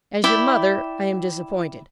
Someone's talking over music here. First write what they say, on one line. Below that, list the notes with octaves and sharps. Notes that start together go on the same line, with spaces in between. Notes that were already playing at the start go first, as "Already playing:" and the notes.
As your mother, I am disappointed.
E4 D5 G5 B5